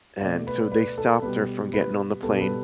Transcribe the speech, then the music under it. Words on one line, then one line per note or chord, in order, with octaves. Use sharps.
And so they stopped her from getting on the plane.
B2 A3 D5
B4
B4
A4
B2 G3 B3 B4
B4
B2 G3 B3 A4
B4